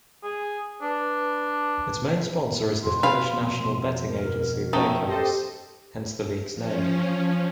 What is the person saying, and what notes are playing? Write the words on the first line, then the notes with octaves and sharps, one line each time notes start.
Its main sponsor is the Finnish national betting agency Veikkaus, hence the league's name.
G#4
D4 B4
F2 B2 C6
B4 F5
A#4
D#3 A3 C#4
G4 A4 C5 D#5
F3 C#4